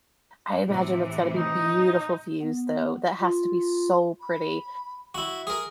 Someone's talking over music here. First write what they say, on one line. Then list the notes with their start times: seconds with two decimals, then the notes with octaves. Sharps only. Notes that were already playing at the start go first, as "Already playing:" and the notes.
I imagine that's gotta be beautiful views, though. That has to be so pretty,
0.66 A2 C3 E3
1.35 D#4
2.42 B3
3.20 F4
4.20 B5
5.15 E4 F#4 E5
5.47 G#4 A#4